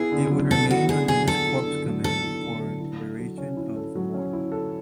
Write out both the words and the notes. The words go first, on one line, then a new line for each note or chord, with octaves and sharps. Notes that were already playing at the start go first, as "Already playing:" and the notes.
It would remain under this Corps command for the duration of the war.
Already playing: B3 E4 G#4
D3
F#3
B3 A4
E4 F#4
D3 G#4
F#3 G#4
B3 A4
E4
D3
F#3
B3 A4
E4
D3
F#3
E4
A4
F#3
C#4
E4
A4
F#3
C#4
E4
A4